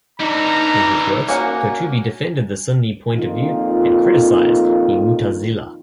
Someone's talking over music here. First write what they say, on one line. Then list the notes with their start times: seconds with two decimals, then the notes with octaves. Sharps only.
In his works, Qurtubi defended the Sunni point of view and criticized the Mu'tazilah.
0.20 E3 G3 D4 D#4 A#5
1.29 A#3 C#4 F#4 F#5
3.13 F2 A#2 D#3 F4